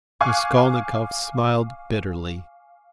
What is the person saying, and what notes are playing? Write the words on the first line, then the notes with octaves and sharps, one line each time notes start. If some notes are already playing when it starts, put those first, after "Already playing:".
Raskolnikov smiled bitterly.
F5 G#5 C#6 D6 F#6 G#6